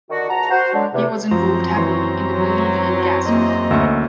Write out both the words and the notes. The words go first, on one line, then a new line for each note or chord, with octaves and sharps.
He was involved heavily in the Bolivian Gas War.
D3 D#3 F#4
C#2 F#4 F#5 A5 A#5
F#4 C5
D3 F#3 G#3 D4
E2 C3
F#2 F3 C4 A#5
E3 C#5 C6
F#3
E2 A#3 D#5
D2 C#4 E5